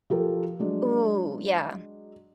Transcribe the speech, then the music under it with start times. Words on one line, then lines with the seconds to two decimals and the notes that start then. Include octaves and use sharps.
Ooh, yeah.
0.10 F3 G4 A4 A#4
0.59 F#3 G#3 D4